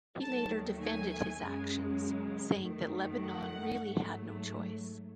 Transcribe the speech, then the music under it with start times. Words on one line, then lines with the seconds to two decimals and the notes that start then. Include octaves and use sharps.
He later defended his actions, saying that Lebanon really had no choice.
0.21 D#2 D#3 F#3 A3 A5
0.81 G#5
1.42 F#2 C#3 G#3
2.62 F#2 D#3 A3
3.23 F#5
3.83 G#2 F#3 A3